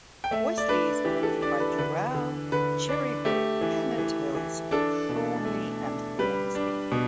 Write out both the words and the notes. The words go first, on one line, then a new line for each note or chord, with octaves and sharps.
Westleigh is bordered by Dural, Cherrybrook, Pennant Hills, Thornleigh and Hornsby.
G5
A3 E5
D5
D4 B4
E3 G4
A4
D4 D5
B4
D3 B4
D3
D3 B4
D4
A3 G4
E3
E3
E3
D4 A4
B2
A3
D4
G3 B4
D4
B2